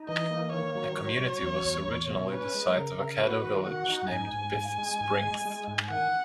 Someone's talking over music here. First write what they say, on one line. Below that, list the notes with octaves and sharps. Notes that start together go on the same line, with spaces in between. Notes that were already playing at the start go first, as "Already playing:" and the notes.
The community was originally the site of a Caddo village named Biff Springs.
Already playing: D#4
E3 D#5
A#3
D#3 C#5
F#3
F#3
F#3
E2
E2
E2
B2
C#4 B4
G#3
C#3 A#4
C#3
F#4 B4
D#3
F#4 F#5
D#4
G#2 G#5
G#2
G#2
G#3
G#2
G#3
G#3
G#2
D#3 F#5